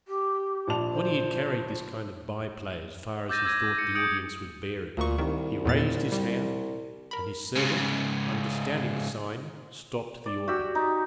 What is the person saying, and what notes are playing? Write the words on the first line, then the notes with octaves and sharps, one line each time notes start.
When he had carried this kind of by-play as far as he thought the audience would bear it, he raised his hand, and his servant understanding the sign, stopped the organ.
G4
A#1 A5 F7
C5
D6 E6 G6 A6 A#6 D#7
E6 G#6 A#6 D#7
C#7
D#6 G6 C#7 D7 F#7
D2 A#2 C#6
C2 D#3
E2 A#2 A6
G3
A#4 B5
G#2 C#3
D5
F#4 G4 E6
D#4